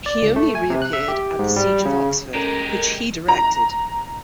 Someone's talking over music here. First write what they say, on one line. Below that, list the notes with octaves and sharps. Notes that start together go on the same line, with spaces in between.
He only reappeared at the siege of Oxford, which he directed.
D5
C#2
A3
G#5
C3
F#6
E5
G4
G#2
G3
C#3
G#3 C#4 G4 A4 A#4 A#5
A#5